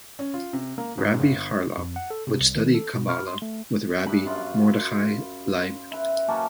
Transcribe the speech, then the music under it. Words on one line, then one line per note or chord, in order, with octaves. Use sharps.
Rabbi Charlap would study Kabbalah with Rabbi Mordechai Leib.
C#4
F4
C3
A#3
G#2
G1
F2
F#5
A4
C3
C2
D#3
A4
B2
F6
C6
A3
G2 B5
F#2 F4
E4 B4
F#3 A#3 C#4 A5